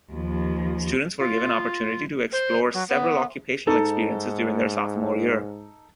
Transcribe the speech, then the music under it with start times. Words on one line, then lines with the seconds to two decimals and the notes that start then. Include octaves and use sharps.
Students were given opportunity to explore several occupational experiences during their Sophomore year.
0.12 D#2 F3
1.19 F4
2.32 C5
2.74 F#3
2.89 B3
3.67 G#2 D#4 A4